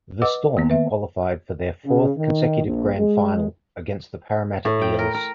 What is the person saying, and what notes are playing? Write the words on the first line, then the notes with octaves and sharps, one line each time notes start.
The Storm qualified for their fourth consecutive grand final, against the Parramatta Eels.
B4 D#5 F#5 D6 E6
D#3 A#3 B3
B4 E5
C#3
D#3
A#1
G#3
A2
G5
A#4
A#4